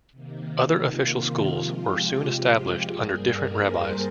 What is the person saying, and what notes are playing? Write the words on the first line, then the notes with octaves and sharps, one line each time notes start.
Other official schools were soon established under different rabbis.
C3 D#3 A#3
F4
C3 F3 G#3 F4
G4
G2 G3 A#3 G#4
A#4
C5